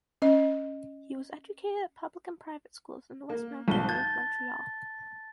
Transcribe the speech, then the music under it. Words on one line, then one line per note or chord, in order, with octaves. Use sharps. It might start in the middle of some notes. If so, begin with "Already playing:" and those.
He was educated at public and private schools in the Westmount area of Montreal.
C#4 D#5
A#3
B1 G#2 A5 G7
G6 A6